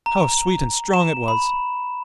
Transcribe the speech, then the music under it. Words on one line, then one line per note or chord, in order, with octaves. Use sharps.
How sweet and strong it was!
A#5
E7
B5